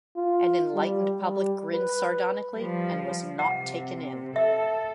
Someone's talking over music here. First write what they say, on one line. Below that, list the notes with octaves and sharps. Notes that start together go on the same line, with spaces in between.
An enlightened public grinned sardonically, and was not taken in.
F4
G3
G3
B4
F3 G3
C3 F#5
A4 E5